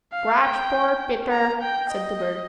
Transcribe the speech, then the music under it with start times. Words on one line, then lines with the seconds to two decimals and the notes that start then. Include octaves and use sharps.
"Scratch poor Peter," said the bird.
0.13 F5
0.42 G5
1.31 A#5
1.62 G5
1.91 D#5